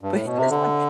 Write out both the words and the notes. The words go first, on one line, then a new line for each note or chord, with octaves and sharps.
but in this one,
G2
A2
B2
C3
D3